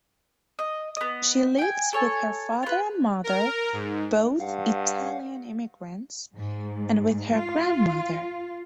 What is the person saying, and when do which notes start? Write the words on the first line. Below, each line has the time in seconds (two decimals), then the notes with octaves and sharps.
She lives with her father and mother, both Italian immigrants, and with her grandmother.
0.59 D#5
0.97 B3 D#5
1.58 G5 G#5
1.93 A4 C#5 G#5
2.63 F4 B4
3.24 A#4
3.73 G#2
4.40 G2 F5 F#5
6.36 G#2
7.34 F4